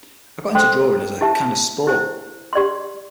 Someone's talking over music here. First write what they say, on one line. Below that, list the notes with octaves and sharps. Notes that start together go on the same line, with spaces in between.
I got into drawing as a kind of sport.
A4 C5 G5 C6
E4 G4 E5 A5
E4 G4 C5
G4 D5 C6